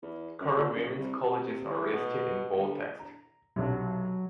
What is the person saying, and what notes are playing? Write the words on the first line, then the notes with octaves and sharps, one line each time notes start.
Current women's colleges are listed in bold text.
E2
F#2
A#2
F#1
C2
C3
E3
B2
G1
A#5
B1 C3 F#3